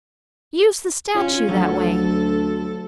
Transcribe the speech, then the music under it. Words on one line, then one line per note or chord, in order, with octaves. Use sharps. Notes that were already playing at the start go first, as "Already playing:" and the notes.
"Use the statue that way."
C#4 F4
D2 F#3 A4 F#5